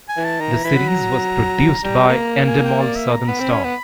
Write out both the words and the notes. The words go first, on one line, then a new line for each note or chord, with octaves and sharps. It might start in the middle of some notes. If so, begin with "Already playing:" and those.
The series was produced by Endemol Southern Star.
G#5
E3
A5
D#3 A#5
E3
E3 B5
F#3
A#5
G3 A#5
A#3 A#5
G#5
G5
D5
E5
A#5
B3 B5
C4
C#4 B5
B3